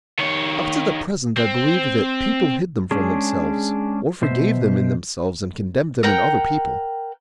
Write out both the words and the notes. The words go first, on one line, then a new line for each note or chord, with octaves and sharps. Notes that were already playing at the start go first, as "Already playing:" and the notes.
Up to the present I believed that people hid them from themselves or forgave them in themselves and condemned them in other people.
D#3 C#5
C4
G#3 C#4 D4 G#4
B2 C5 E5
A#4 F#5 G5 A#5